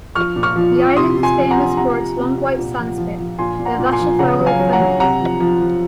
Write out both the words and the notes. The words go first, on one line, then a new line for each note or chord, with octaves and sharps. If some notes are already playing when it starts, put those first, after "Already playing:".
The island is famous for its long white sand spit- the "Vashafaru-thundi".
F3 C#6 F6
A#2
C#6 F6
F3
F3
C3 C6 D#6
C3
G#5 C6
F3
F#5 A#5
C3
C3 F#5 A#5
C3
C3
C3
A#2
F3
F3
F3
A#2 G#5 C6
A#2
F#5 A#5
A#2
G#5 C6
F3
C#3 F#5 A#5
F#3
F5 G#5
F#3
F#5 A#5
F#3
C3 F#5 A#5
F3
F3
F3